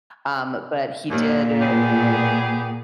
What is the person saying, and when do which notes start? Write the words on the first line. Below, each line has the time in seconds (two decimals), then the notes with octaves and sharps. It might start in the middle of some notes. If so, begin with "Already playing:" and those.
um, but he did, uh,
1.10 D#2 A#2
1.62 B3 G4 G#4